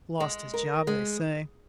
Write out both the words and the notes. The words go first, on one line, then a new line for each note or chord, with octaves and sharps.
Lost his job, they say.
G#3
A#4
G#3